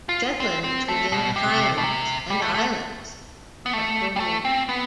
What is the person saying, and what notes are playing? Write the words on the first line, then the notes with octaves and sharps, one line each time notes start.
Shetland is within the Highlands and Islands electoral region.
F4
C4
C4
A3
B2
C3
B2
C3
G3
A3
A3
B3
A3
G3
A3
C4
B3